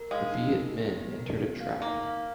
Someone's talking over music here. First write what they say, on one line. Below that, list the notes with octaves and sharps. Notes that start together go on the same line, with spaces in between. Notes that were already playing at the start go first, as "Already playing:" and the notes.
The Viet Minh entered a trap.
Already playing: A#4
G#3 F5
D#4
A#4
B3
B3
A#4
B3
F5
A#3 D#4
F5